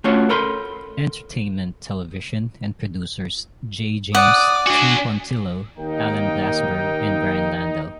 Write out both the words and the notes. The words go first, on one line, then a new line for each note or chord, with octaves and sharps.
Entertainment Television, and producers Jay James, Tim Puntillo, Alan Blassberg, and Brian Lando.
A3 C#4 F4 F#4 C#5
A4 A#4 B5 C6
D5 F#5 D#6
D4 F#4 G#5
D#2 A#3 D#4 G5